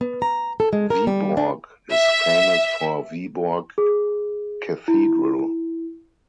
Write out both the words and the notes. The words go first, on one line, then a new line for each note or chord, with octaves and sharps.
Viborg is famous for Viborg Cathedral.
B3
A#5
A4
G#3
A#4
G3
D4
E5
G#4
E4